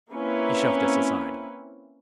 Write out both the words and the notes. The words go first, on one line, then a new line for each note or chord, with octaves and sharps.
He shoved us aside.
A#3 C4 C#4 E4 B4